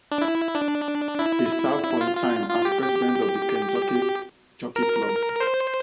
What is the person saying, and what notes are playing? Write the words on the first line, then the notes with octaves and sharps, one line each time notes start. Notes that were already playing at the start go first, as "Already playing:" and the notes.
He served for a time as president of the Kentucky Jockey Club.
D4
E4
D4
E4
E4
F4
F4
F4
G4
G4
A#4
C5